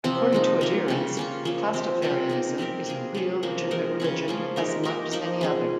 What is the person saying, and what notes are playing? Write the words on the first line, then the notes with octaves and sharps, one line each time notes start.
According to adherents, Pastafarianism is a "real, legitimate religion, as much as any other".
C3 F3 C4 F4
F3 G#3 D#4
G3 A#3 F4 A#4
C#3 G3 C#4
A#3 C#4 F4
F3 A#3 C#4 F4
F3 C4 G4
C3 G3 A#3
A#3 D#4 G#4
G3 C4 G4 A#4
A#3 F4 G#4
G3 C#4 G#4
C3 F3 A#3 C#4
G#3 D#4 A#4
C#3 G3 C#4 G#4
F3 A#3 C#4 F4
G#3 D#4 G4 A#4
A#3 D#4 G4 A#4
F3 A#3 D#4
G#3 C#4 G#4